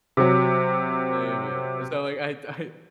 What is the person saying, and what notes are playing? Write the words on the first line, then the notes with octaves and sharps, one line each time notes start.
Maybe. And so like, I d I
C3 F#3